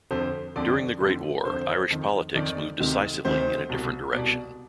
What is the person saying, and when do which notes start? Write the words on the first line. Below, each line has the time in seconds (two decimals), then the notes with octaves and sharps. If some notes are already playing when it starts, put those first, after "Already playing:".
During the Great War Irish politics moved decisively in a different direction.
0.11 F2 D3 C5
0.56 F2 D3 D5
1.01 F2 D3
1.45 F2 D3 C5
1.90 F2 D#3
2.35 F2 D#3 D5
2.80 D2 C3 D#3
3.25 D2 C3 D#3 C5
3.69 C2 B2
4.14 C2 B2 D5